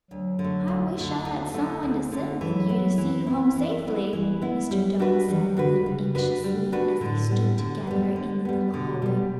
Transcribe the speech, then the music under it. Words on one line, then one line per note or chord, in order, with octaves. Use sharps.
"I wish I had someone to send with you to see you home safely," Mr. Doane said, a little anxiously, as they stood together in the little hallway.
D2 F#3
D3
A3
D2
D3 A3
D2
D3 A3
D2
D3 A3
E3 F#3
B3 E4
E3
B3 E4
E3
B3 E4
E3 G3
B3 E4
F#3 G3
G3 D4 F#4 B4
E3 G3
D3 D4 F#4 B4
C#3 G3
D4 F#4 B4
G3
D4 F#4 B4
A2 D3
G3 B3
D3
G3 B3
D3
G3 B3
B2 D3
G3 B3